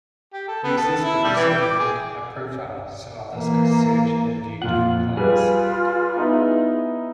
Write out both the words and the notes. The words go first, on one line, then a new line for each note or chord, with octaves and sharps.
Users could also create a profile, so others could search and view different players.
G4
A4
B3
A4
E4
G3
E3
G5
D6
G#4
E3 A#3
F2 A#2 F4 F#5
G3 F4 G#4 B4
B3 D#4 E4